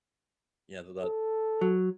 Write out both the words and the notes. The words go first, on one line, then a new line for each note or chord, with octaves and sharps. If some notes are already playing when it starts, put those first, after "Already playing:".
Yeah, th that
A4
F#3